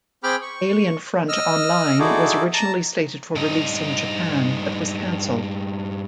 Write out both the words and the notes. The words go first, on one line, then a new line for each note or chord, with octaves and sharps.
"Alien Front Online" was originally slated for release in Japan, but was cancelled.
C4 G#4 G5 B5 D6 F6
C#6
D#5 E6 F6
D#4 E4 F#4 G#4 A4 D5
A5 A#5
G2 D#4